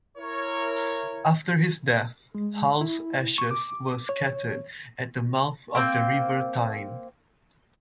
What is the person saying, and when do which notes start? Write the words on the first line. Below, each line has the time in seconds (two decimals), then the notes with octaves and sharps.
After his death, Hull's ashes were scattered at the mouth of the River Tyne.
0.18 E4 A#4 C#5
2.35 G#3
2.81 E4
3.38 C#6
3.51 D6
4.09 C#5
5.75 A#3 C4 G5